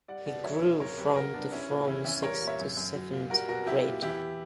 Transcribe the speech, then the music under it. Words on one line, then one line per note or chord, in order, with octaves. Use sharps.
He grew from to from sixth to seventh grade.
G3 D5 F#5
B2 D5 F#5
F#3 C#5 E5
A#2
F#2 A#4 C#5
F#2 G4 B4
G2 F#4 A#4
G2 B3 D4
G3 C#4 E4
A#2
E2 C#4 E4
E2 C#4 E4
G3 A#4 C#5
A#2
C#5 E5
F#2
F#2
F#3
A#2
G3 F#4 A#4
B2 F#4 A#4
F#3 E4 G4
A#2
E2 E4 G4